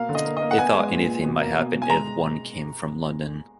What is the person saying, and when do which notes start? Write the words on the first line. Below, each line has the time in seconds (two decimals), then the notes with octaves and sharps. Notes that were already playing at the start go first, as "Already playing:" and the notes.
They thought anything might happen if one came from London.
Already playing: B2 A#3 F5
0.09 D3
0.15 D#5
0.25 A#3
0.37 D#5
0.42 A#3
0.51 F#5
0.58 B3 G#5
0.74 G#3
0.91 A#2
1.07 A#2
1.24 B2
1.41 A#3
1.57 B2
1.73 B2
1.82 G#5
1.90 G#3 A#5